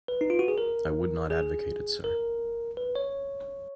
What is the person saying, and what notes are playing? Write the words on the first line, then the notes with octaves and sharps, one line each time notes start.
I would not advocate it, sir.
B4
D#4
F4
F#4
G#4
A#4
G#4
A#4
B4
C#5